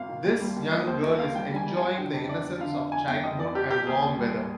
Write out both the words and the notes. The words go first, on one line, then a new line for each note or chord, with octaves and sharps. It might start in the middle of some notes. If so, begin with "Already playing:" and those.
This young girl is enjoying the innocence of childhood and warm weather.
Already playing: G#1 F5
D#3
D#2
G3
D#2
D#3 D#5
D#2 C5
D#2 D#5
D#2 F5
G3 G5
G3
G#5
G3
G#5
G#1
D3 G5
F2
D3 D5
F2
D3 F5
F2
F2 G#5
G1 G5
F1 D#5
F2 D5
F2 G4
F2 G4
D#2 G#4
D#2
G3